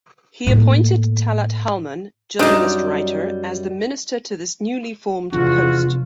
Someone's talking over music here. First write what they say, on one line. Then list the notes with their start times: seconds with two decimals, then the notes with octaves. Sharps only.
He appointed Talat Halman, journalist-writer, as the minister to this newly formed post.
0.47 A2 A#3
2.39 F#2 G3 D4 D#4
5.33 E2 C3 F3 D4 F4 F#4